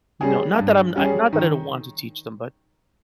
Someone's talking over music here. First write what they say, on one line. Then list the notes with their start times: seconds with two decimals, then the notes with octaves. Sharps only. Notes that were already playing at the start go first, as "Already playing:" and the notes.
You know, not that I'm I not that I don't want to teach them, but
0.21 G3 C#4 G#4
0.58 G2
0.96 G3 C#4 G#4
1.33 D#3